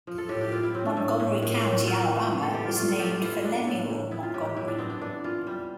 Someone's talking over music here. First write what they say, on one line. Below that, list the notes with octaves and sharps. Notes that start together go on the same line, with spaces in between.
Montgomery County, Alabama, is named for Lemuel Montgomery.
F3
A4
A2 G4
G4
C4 F4
E4
A2 C4
D4
A2
A2
A2
A2
C4 F4
E3
E3
A4
E3 G4
F4
A3 F4
A4
C4 G4
F4
E3 F4
E4
E3 D4
D4
A2
A2
B3 E4
F4
A2 G4
G4
A2 E4
D4
B3 C4
D4
E3 D4
E3 F4
G3